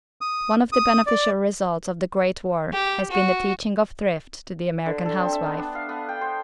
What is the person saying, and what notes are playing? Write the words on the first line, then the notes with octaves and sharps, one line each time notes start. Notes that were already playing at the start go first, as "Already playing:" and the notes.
One of the beneficial results of the Great War has been the teaching of thrift to the American housewife.
D#6
D#6
D5
G4
F#4
D3
A4
C4
E5
B3
D4
F5
B3
G5
C5